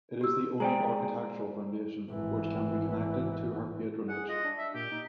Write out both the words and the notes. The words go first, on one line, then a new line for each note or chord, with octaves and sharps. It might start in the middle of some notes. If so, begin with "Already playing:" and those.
It is the only architectural foundation which can be connected to her patronage.
G4 E6
G#3 G#4 C5 D5 G5 G#5 A#5
G#1 E3
G#4 F#5
F4 D#5
D4
E5
A#2 G4
D#4